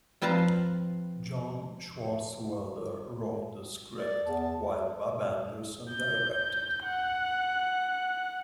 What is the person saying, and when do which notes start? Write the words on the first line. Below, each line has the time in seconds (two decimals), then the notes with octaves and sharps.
John Swartzwelder wrote the script, while Bob Anderson directed.
0.22 F3 C4 B4 F5 A5 A#5
3.98 D5
4.26 E2 A5
5.90 G6
6.84 F#5